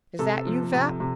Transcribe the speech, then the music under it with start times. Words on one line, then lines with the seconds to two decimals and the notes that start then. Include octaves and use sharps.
"Is that you, Vapp?"
0.19 C3 A4
0.47 F3
0.73 C3
1.00 C3